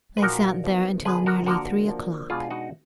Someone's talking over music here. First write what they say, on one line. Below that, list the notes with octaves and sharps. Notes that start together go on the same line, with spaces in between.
They sat there until nearly three o'clock.
B4
A#2 F3 A#3 D#4 F#4 A#4
F3 B3 D#4
D3 F3 B3 D4 G#4 B4
F#4 A#4
D3 F3 A#3 D4 F#4 A#4
F3 A#3 D4
B2 G#3 B3 D4 F4 G#4
D#4 F#4